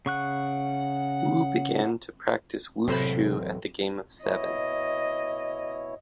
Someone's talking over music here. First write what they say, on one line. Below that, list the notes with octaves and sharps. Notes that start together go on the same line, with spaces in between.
Wu began to practice wushu at the game of seven.
C#3 F#5 C#6 F#6
E1 A2 C3 F#3 C4 C5 B5
B2 E4 C#5 D#5